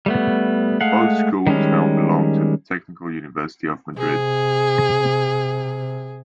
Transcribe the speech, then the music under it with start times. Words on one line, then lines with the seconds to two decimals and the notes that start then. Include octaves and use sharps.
Both schools now belong to the Technical University of Madrid.
0.06 G3 A3 B3
0.81 G#3 A3 F5 F#5
1.47 D#3 G3 G#3 C#4
3.98 C3 G#4